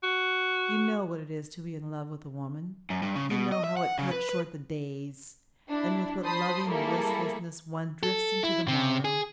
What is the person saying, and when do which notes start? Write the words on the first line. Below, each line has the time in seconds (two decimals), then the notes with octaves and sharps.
You know what it is to be in love with a woman, you know how it cuts short the days, and with what loving listlessness one drifts into the morrow.
0.03 F#4
2.90 F#2
3.02 G2
3.16 C#3
3.31 B2
3.52 D#5
3.64 E5
3.77 F#5
3.98 C#3
4.11 B4
4.29 B4
5.69 D4 E4
6.24 C5 A5 B5 C6 D#6
6.67 G3 A3 A#3 E4 G#4 A4
8.03 A4
8.43 E4
8.68 C3
9.05 G#4